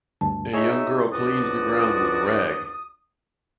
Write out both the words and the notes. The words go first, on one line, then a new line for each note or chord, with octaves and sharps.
A young girl cleans the ground with a rag.
D2 G2 A5
D#4 G#4 C#5 E5 C#6
C#2 F3 D4 F#4 D5 D#6